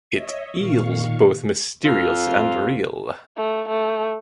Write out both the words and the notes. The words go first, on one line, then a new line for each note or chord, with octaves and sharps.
It eels both mysterious and real.
C#5 D#5 E5
A#2 D#3 F5 C#6
F2 C4 F4 F5
A3
A3